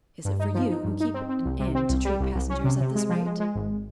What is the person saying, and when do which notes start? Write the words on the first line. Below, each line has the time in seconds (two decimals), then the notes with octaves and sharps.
Is it for you, who keep an inn, to treat passengers at this rate?
0.25 G2
0.40 D#4
0.55 F3
0.70 D#4
0.85 G2
1.00 D#4
1.14 C4
1.29 C4
1.45 C2
1.60 C3
1.75 C4
1.90 C2
2.05 G3
2.20 C2
2.35 C2
2.50 C#4
2.64 C3
2.81 C3
2.96 G#3
3.10 F3
3.25 G#3
3.40 G#3
3.55 G#1